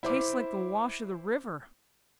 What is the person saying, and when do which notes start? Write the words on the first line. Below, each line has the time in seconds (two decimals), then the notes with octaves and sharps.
'Tastes like the wash of the river.'
0.03 E4 C5 D6